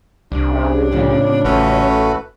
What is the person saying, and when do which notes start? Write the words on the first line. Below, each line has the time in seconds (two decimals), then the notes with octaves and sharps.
rather than
0.32 C2 D4
0.92 A2 C#3 F3
1.44 A1 A3 C#4 F#4 B4